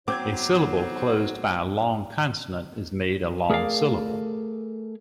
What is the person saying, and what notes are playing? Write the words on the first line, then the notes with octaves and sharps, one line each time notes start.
A syllable closed by a long consonant is made a long syllable.
F#3 B3 C4 D#4 C5 D6 G6 G#6
A3 G#4 A#4 C5 D5 F5